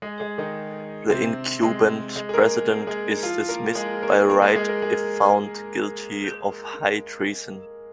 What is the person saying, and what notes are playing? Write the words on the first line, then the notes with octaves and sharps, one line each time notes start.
The incumbent President is dismissed by right if found guilty of high treason.
G#3 G#4
G#3 G#4
D#3 D#4
C3 C4
G#3
G#3
G#4
A#3 A#4
G#3 G#4
F3 F4
A#3 A#4
G#3 G#4
A#3 A#4
A#3 A#4
G#3 G#4
G#3 G#4
A#3 A#4
G#3 G#4